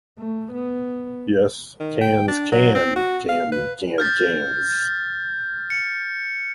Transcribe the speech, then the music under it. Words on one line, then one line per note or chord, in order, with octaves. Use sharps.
Yes, cans can can canned cans.
A3
B3
D#3
G5
D4
F#3
C4
F#4
F5
B4
F6 G6 A6
C#7